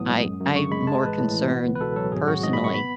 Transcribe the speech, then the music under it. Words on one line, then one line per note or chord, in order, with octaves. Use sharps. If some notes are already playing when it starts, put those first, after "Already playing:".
I I'm more concerned personally
Already playing: A1 A2 F#3 B3 D#6
G#3
F#2
F#2
C#3 C#6
G#3 B5
G#3 A5
A1 B4
A2
E3
B3
C#2
B4
B2 A4
F#3 A4
G#1 G#4
G#1 F#4
G#2 D#5
B5
D#3
C#6
B3 B5